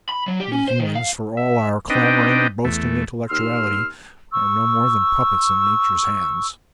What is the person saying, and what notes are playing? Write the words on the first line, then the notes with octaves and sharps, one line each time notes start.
We humans, for all our clamoring, boasting intellectuality, are no more than puppets in Nature's hands.
B5
F#3
G4
C#4
C5
D#3
F5
E5
C4 D4 D#4 B4 D#5 G5
E2 A3
D#2 C6 E6 F6
C#6 E6